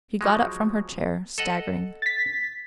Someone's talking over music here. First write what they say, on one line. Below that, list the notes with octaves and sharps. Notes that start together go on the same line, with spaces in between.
She got up from her chair, staggering.
F3 F#3 G#3
A4 D#5 F#5
A6 B6